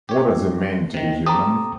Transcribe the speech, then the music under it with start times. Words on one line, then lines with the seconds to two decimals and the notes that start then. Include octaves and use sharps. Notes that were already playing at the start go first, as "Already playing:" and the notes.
What does it mean to be human?
0.09 G4 C#5
0.94 C3 D#3
1.26 C4 G4 A4 A#5 D#6